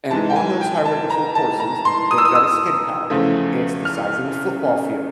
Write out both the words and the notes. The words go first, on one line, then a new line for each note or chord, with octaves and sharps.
and on those highway patrol courses, they've got a skid pad, it's the size of a football field,
G#2 E3 G#3 A5
G5
G#5
G5
A5
A#5
A5
A#5
C6
D#6
E6
D#6
E6
E2 C#3 F3 A3
F6